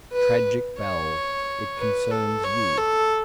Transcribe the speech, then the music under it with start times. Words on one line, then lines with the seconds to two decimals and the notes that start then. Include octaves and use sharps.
Tragic bell! it concerns you.
0.12 B4
0.79 C#5
1.78 B4
2.11 A4
2.44 C#5
2.78 A4